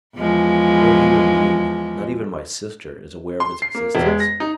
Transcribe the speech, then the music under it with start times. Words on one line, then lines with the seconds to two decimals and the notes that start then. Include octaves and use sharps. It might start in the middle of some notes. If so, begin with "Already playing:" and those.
No human being, not even my sister, is aware of its existence.
0.17 E2 F3 G#3
3.40 C6
3.62 C7
3.75 A#3
3.95 E1
4.06 G#3
4.20 A#6
4.40 D#4